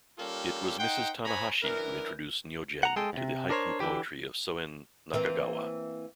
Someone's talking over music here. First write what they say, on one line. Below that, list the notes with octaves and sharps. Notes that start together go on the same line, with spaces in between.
It was Mrs. Tanahashi who introduced Nyogen to the haiku poetry of Soen Nakagawa.
G3 A#3 C#4 F4 G4 A4
D#4 C5 F#5 G5
C5 C#5 G#5 A#5 B5
F#2 E3 D4 A#4
F#5 A#5
G#3 G#4 A4 G5
D#2 C3
D4 A#4 C5 C#5
D3 E3 G4
E3 A#3 C4